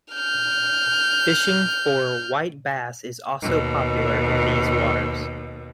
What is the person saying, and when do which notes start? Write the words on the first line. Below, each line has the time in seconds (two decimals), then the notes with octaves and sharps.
Fishing for white bass is also popular in these waters.
0.13 F6 G6
3.42 D#2 B2